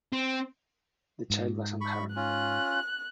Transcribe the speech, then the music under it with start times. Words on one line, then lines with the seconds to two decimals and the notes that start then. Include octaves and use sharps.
The child was unharmed.
0.13 C4
1.30 G#2
1.81 B5 C#6
2.16 C#4 F4 F#6